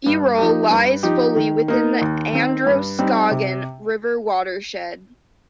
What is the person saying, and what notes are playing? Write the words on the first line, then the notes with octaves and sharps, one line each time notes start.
Errol lies fully within the Androscoggin River watershed.
G2
F3 D#4 G4
G2
F3 D#4 G4
D#3
A#3 D#4
D#2
D#3 C4
G2
G3 C4 D#4
C3